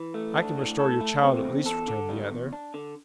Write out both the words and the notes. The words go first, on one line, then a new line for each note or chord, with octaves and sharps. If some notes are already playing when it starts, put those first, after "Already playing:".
"I can restore your child at least," returned the other.
Already playing: E3
A3
D4
A2
A4
A3
C4
E2
A4
D3
G3
E2
D4
D3